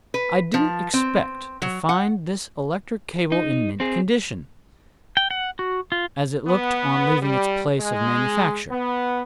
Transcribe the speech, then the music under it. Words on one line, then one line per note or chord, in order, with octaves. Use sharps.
I didn't expect to find this electric cable in mint condition, as it looked on leaving its place of manufacture.
B4
F3
C4
F#3
F#5
D#4
C4 G#4
G5
F#5
F#4
F4
B3
G3
G#3
B3